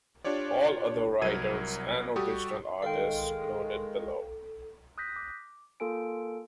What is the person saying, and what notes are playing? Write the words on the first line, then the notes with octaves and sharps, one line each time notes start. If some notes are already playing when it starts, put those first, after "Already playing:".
All other writers and original artists noted below.
D4 F4 G4 C#5 D5
C2 F#3 A#4 G#6 D#7
G3 F#4 G4 A4 C#6 D#6
D#3 G#3 A4 F5 G5
D#6 F#6 G6 A#6 B6
D6
A#3 F4 A4 A#4 G#5 D7